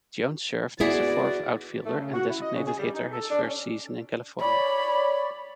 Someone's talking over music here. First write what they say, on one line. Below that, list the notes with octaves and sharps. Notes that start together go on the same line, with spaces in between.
Jones served as a fourth outfielder and designated hitter his first season in California.
B3 E4 F#4 G#4 D5
A3
C#3
F#4
E4
D#5
C#3
G#4
G3
D#4
A4
D4
C#4
C#5 D5 B5